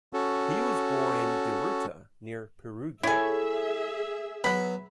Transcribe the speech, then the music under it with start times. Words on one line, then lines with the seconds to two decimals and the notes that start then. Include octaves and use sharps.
He was born in Deruta, near Perugia.
0.13 C#4 F#4 A4
3.03 E4 G#4 A4 C#5 E5 G#5
4.44 F#3 B3 B5